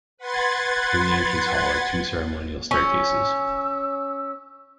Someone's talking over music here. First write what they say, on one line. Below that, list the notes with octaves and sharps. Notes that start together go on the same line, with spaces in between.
In the Entrance Hall are two ceremonial staircases.
B4 F#5 C6 G#6 A6
C#4 E6